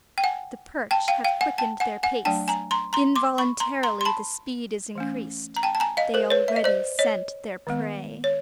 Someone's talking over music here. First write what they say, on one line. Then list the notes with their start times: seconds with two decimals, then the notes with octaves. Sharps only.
The perch have quickened their pace; involuntarily the speed is increased; they already scent their prey.
0.18 G5
0.24 F#5 G#5
0.91 G5 A5
1.08 F5 G5
1.24 F5 G5
1.41 F#5 G#5
1.58 G5 A5
1.80 F#5 G#5
2.03 F#5 G#5
2.25 F#3 A3 D4 G5 A5
2.48 G#5 A#5
2.71 A#5 C6
2.93 A#5 C6
3.16 C6 D6
3.38 B5 C#6
3.60 A#5 C6
3.83 A#5 C6
4.01 C6
4.05 A5 B5
4.95 E3 A3 C#4
5.56 A#5
5.63 G5 A5
5.75 A5
5.80 G#5 A#5
5.97 D#5 F5
6.14 A#4 C5
6.30 B4 C#5
6.48 E5
6.56 D#5
6.64 C5 D5
6.99 C#5 D#5
7.67 D#3 G#3 B3
8.24 C#5